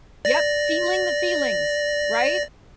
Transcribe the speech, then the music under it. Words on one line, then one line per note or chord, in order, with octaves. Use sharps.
Yep, feeling the feelings, right?
D5 A#6